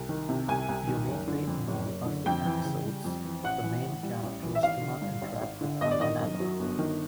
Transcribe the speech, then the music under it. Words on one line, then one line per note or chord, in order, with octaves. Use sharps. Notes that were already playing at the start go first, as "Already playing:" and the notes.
Uniquely among "Buffy" episodes, the main characters do not interact with one another.
Already playing: C2
D#3
C3
C2 G#5
C2
D#3
F#1
D3
F2
F#1
F#1
D3
F2 G5
E3
C#3
G3
F2
E3
A1 F#5
E3
A2
G3
A1
E3
E5
G#1 F5
D3
G2
G#1
G#1
D3
G1 D#5
D5
D#3 D#5
F#2
F#3
G1
D#3